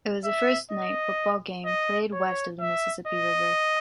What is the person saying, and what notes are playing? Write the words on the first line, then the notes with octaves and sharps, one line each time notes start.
It was the first night football game played west of the Mississippi River.
E5
D#5
D#5
C#5
E5
D#5